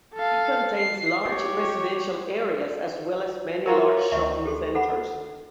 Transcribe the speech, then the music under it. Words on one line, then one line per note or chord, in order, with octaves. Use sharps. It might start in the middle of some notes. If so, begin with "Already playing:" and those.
It contains large residential areas as well as many large shopping centers.
A4 F5
C7
G4 C#5
F4 F#4 A#4 C#5 A#5
D2 D#3 D5 E5 C#6
G4 A4 C6
A4 F#5 B5